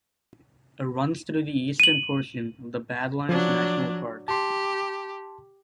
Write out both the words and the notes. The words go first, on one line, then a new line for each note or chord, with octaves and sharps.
It runs through the eastern portion of the Badlands National Park.
D#7 F#7
F3 F#3 D4
G4 A5 C6